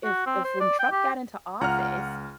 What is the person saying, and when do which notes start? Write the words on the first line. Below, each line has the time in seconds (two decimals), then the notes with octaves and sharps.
if if when Trump got into office,
0.04 F#4
0.27 C4
0.44 C5
0.60 D5
0.79 G5
0.92 G4
1.61 C#2 F4 F#5 A#5 F6